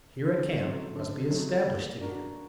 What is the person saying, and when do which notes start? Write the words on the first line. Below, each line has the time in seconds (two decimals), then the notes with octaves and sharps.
Here a camp must be established again.
0.24 D3
0.59 F#3 A3 C4 D#4
0.95 D3
1.30 F#3 A3 C4 D#4
1.66 A#3
2.01 D4 F#4 A#4